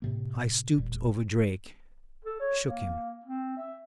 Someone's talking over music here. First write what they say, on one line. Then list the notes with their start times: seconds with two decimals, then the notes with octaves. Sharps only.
I stooped over Drake, shook him.
0.02 A2 C3 A#3
0.78 E1 A#2
2.25 A4
2.40 C#5
2.67 A#3
3.26 C4
3.57 E5